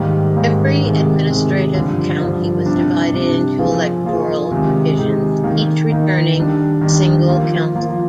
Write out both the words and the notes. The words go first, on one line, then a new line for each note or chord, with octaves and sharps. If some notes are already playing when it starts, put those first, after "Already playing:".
Every administrative county was divided into electoral divisions, each returning a single councillor.
Already playing: G#2 D#3 G3 A#3
G#2 D#3 G3 A#3
C3 D#3 G#3
C3 D#3 G#3
G2 D3 F3
G2 D3 F3
C3 G3 D4
C3 G3 D4
F3 A#3 F4 G#4
F3 A#3 F4 G#4
C3 D#3 G#3 D#4 G#4
C3 D#3 G#3 D#4 G#4
D#3 A#3 D#4
D#3 A#3 D#4
D#3 G3 D4
D#3 G3 D4
F3 A#3 F4
F3 A#3 F4